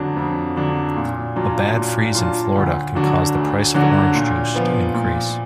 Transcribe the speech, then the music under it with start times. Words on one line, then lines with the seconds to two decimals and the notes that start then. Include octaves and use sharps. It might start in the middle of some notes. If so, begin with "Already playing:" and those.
A bad freeze in Florida can cause the price of orange juice to increase.
Already playing: F2 D3 F#3 D4
0.16 F2
0.57 D3 F#3 D4
0.96 A#2
1.36 F#3 D4 F4
1.76 A#2
2.15 F#3 D4 F4
2.56 D2
2.95 D3 F#3 D4 F#4
3.35 D2
3.74 D3 F#3 D4 F#4
4.15 A#2
4.55 F3 B3
4.94 A#2